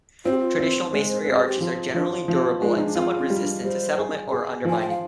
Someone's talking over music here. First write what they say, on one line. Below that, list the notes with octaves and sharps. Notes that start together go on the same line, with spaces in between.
Traditional masonry arches are generally durable, and somewhat resistant to settlement or undermining.
C4 F4
G4
F4
C4
G#3
C5
B4
C4
G#4
G4
F3 F4
F3 D4
F3 C4
G#3 F4
D#4
D4
C4 F4
C4
G3
D4
G3 C5
G#4
G#4
F3 G#5
G5
F5